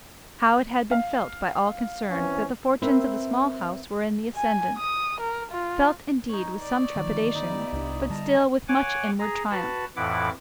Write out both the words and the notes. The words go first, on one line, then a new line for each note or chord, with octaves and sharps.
How it had been felt by all concerned that the fortunes of the Small House were in the ascendant,--felt, indeed, with some trepidation, but still with much inward triumph.
F5
E3 C4 C#4
C4 A#4 B4 E5
G#5
D#6
A#4
F4
D#4 C#5
D5
A#2 D3 D#3 F3
B3 D#4 E4 G4 D#5
C2 D4
D3 G3 D#5 A5 A#5
C#5 F#5 G#5 D6
G#4 A#5
F#4 B4 A5
F2 A2 E3 E4 F#5 D6